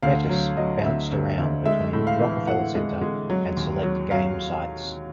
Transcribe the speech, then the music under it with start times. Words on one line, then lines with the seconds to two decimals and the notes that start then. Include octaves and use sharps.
Bettis bounced around between Rockefeller Center and select game sites.
0.03 D2 F5
0.29 F#3
0.57 F#3 D#5
0.84 D2 E5
1.12 D2
1.38 D2
1.66 G#3 E5
1.93 A2
2.07 F5
2.20 E3
2.47 A2 F#5
2.75 G#3
3.02 G#3
3.30 F#3
3.57 D#2
3.83 F#3
4.11 F#3 F5